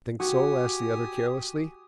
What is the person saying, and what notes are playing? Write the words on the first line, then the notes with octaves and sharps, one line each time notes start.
"Think so?" asked the other carelessly.
F#4 G4 G#5 D#6